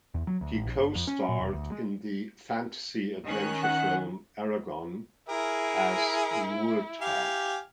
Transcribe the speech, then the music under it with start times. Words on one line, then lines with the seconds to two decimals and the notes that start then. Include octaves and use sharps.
He co-starred in the fantasy-adventure film "Eragon" as Murtagh.
0.14 E2
0.27 F#3
0.41 D2
0.53 A1
0.66 A#1
0.79 G1
0.95 F2
1.07 C#4
1.29 A#2
1.40 E1
1.53 D2
1.72 G#3
3.25 D#3 C#4 F#6
3.63 F#5
5.29 E4 G#4 A#4
7.01 G4 F5 G#5